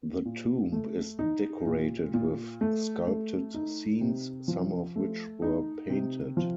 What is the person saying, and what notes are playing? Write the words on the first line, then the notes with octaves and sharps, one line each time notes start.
The tomb is decorated with sculpted scenes, some of which were painted.
A#2
A3
D#4
A#2
A#2
A3
A3
D#4
C3
F3
A3
D#4
C3
F3